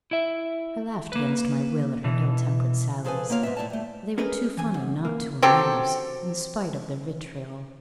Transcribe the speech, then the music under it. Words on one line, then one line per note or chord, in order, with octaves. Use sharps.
I laughed against my will at her ill-tempered sallies; they were too funny not to amuse, in spite of their vitriol.
E4 E5
A#3 B4
B2 E3
F3 G#4 A4 B4 C5 G#5
A#3 B3 F4 C#5 F5
G#2 B3 E5
A2 E4 A4 D5 A5
G3 A3
C#4 G#4 A#4 B4 D#5
E3 G#5
F#2
A#3
F#3 C4 G4 A4